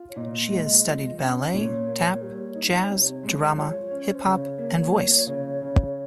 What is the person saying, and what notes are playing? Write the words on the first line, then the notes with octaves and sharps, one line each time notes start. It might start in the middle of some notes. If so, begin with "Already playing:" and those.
She has studied ballet, tap, jazz, drama, hip-hop, and voice.
Already playing: F4
C#5
A#2 D#5
G#3
F3
C#4
A#2 C#5
A#3
G3 C#5
D#4
C3
G#3
F3 C#5
C#4
C5
C#3 C#5
A#3
F3
C#3
C#3